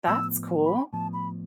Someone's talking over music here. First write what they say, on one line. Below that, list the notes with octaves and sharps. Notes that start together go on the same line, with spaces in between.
That's cool.
A2 F3 B3 E6
B5
A2 F3 B3 A5
B5